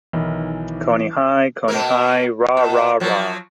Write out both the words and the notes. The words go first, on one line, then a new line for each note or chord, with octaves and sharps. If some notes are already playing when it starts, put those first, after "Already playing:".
Cony High, Cony High, rah, rah, rah!
B1 D#3 E3
B2 A#3 A#4
B2
F3 F#3